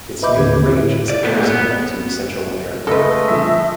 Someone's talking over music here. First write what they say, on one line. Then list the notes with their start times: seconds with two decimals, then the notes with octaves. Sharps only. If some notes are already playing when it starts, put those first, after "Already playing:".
Its native range is Arizona to Central America.
0.22 B4 D#5 E5 B5 D6 G6
0.35 D#2 A2 D3 G#6
0.69 E4
1.10 D5
1.24 A#2 B3
1.45 B3
2.87 C#2 G#3 A3 A4 B4 D#5
3.28 D3 F3 E5